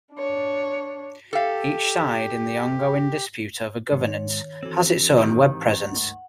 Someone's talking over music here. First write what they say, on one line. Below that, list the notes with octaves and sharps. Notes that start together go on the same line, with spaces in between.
Each side in the ongoing dispute over governance has its own web presence.
D4 C#5
G4 A4 F5
G#2 D#3 C#5
E3 C4 D4 F#4 A4
G#2 D#3 G4
C#2 G2 A3 F#5